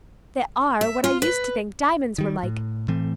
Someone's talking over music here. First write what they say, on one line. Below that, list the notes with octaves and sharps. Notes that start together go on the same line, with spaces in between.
They are what I used to think diamonds were like.
E5
F4
B4
D#3 G3
A2
A2 E3 A3 C4